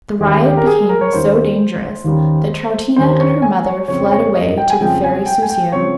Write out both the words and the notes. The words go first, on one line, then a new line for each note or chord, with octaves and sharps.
The riot became so dangerous that Troutina and her mother fled away to the fairy Soussio.
D#2 D#3 G3 C#4 G4
G4
A#4
G#4
A#4
C#5
D#2 D#3 G3 C#4 C5
D#2 D#3 G3 C#4
D#2 D#3 G3 C#4 C5
C#5
G#5
C#5
F2 C#3 F3 C4 C#5
C#5
D#5
G5
G#5
F2 C#3 F3 C4 G5
G#5
G5
G#5
G5
C#3 F3 C4 C#5